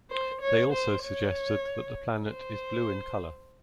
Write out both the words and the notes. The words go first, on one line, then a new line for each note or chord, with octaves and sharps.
They also suggested that the planet is blue in color.
C5
C#5
C5
C#5
C5